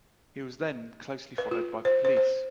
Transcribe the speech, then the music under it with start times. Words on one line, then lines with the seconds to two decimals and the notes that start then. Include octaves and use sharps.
He was then closely followed by the police.
1.38 B4
1.51 F4
1.85 C5
2.05 C5
2.17 C5